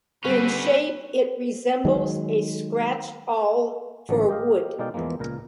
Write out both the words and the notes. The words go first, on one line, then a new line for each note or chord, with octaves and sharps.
In shape it resembles a scratch awl for wood.
D3 G3 C4 C#4 B4
D#3 F#3 G#3
A1 D3 F3 F#3 A5
G4 D#5 F5
B2 G#3 D#4 D5 F5 G5
E2 E3 F3 G#3 A#3
C#2 A#2 A#4 A#5